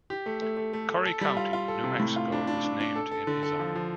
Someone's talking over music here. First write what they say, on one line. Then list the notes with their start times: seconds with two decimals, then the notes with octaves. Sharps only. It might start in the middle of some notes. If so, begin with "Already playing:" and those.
Curry County, New Mexico was named in his honor.
0.10 G4
0.26 A3
0.42 A3
0.57 A3
0.73 A3
0.89 A3
1.05 A4
1.21 G3
1.37 F4
1.53 F4
1.68 A4
1.84 C3
2.00 A2
2.16 F4
2.32 D4
2.47 D4
2.64 D4
2.80 D4
2.96 A4
3.11 A4
3.27 D3
3.43 A4
3.60 F3
3.75 F3